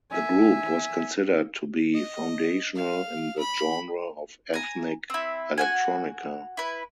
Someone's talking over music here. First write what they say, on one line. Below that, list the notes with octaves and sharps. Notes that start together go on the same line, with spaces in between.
The group was considered to be foundational in the genre of ethnic electronica.
E5 G#5
D#5
F5
B5
G#5 A#5
C4 E4
F#4 F#5 G#5
E4 B4